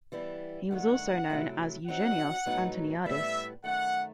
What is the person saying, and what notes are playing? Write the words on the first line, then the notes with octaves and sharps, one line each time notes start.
He was also known as Eugenios Antoniadis.
E3 G3 B3 E4
G2 D#3 A3 F#5
C3 F#3 A3 E4
F#3 C4 D#4 F#5
A2 F#3 B3 D#4
A2 G3 B3 E5
F#2 D#3 A3 F#5